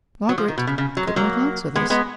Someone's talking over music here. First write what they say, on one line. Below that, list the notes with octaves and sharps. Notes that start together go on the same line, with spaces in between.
Margaret could not answer this.
F#3
F3
D#3
B2
C#3
C#3
F#3
G#3
F#3 A#3
G#3 B3
G#3 B3